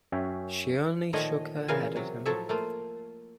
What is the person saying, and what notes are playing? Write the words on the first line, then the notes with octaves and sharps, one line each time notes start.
She only shook her head at him.
F#2 C#4 E5 G5 G#5
A#2 D#3 F3 A3 C#5 D#5
A#2 C#3 E3 A#4 F5 G#5
C3 F#3
A2 F3 F#3 A4 C#5 E5
A3 A#3 F4